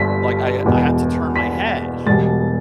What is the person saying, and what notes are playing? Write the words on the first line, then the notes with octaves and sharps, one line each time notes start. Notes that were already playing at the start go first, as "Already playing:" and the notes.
Like I I had to turn my head,
Already playing: G1 G2 G3 B6
E1 E2 B2
B6
E1 E2 B2 G3 A6